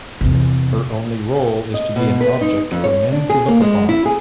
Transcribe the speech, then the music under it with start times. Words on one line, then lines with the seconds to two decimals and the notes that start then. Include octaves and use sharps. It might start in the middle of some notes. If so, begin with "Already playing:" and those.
Her only role is to be an object for men to look upon.
0.21 E2 C3
1.74 D#5
1.96 B2
2.21 B4
2.41 D#4
2.71 F2
2.84 C#5
3.12 D4
3.30 G#4
3.48 A#3
3.62 G#3
3.89 E4
4.06 G#4